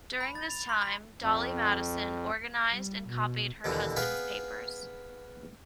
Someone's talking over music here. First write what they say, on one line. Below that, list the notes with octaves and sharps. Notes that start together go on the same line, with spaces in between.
During this time, Dolley Madison organized and copied her husband's papers.
B5
A6
F7
C6
B5
F2
G3
B2
D#2 B2 D3 E3
B3 G#4 B4 F5 G5